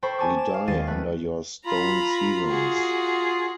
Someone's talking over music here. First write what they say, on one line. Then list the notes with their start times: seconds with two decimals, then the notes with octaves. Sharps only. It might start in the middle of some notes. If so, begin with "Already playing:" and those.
We die under your stone ceilings!
0.02 A4 C5 G5 B5 C#6 D6
0.18 D5 G#5 A5 B5 C#6 D6
0.37 D6 E7
0.54 F5
0.68 D#2 G#3 G#4 A6 C7 D#7
0.87 A3 B4 F#6
1.66 F4 A#5 B5
2.48 F#4 G#4